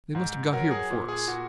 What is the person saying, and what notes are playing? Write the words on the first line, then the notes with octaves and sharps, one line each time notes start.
"They must have got here before us."
G#2
F#3 F#4 A#4
G#4
A#2
G#4
A#2 F#4